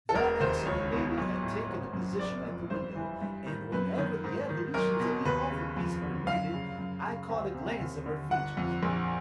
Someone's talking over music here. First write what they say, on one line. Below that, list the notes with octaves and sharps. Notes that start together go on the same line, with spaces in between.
That excellent lady had taken a position at the window, and, whenever the evolutions of the awful beast permitted, I caught a glance of her features.
A4
E1 A#4
D#2 C5
C#2 C#5
B2
B1
A2
G#1
F#2
F#1 D5
F2
G2 C5
E3
G2
D#3
F#2 B4
D#3
G#2
D#3
B1 A#4
B2
D#2 B4
C#3
F2
D3
F#2 F5
C#3
F#2
C#3
D2
C3
D#2
D3
G1 F#5
F2
A#1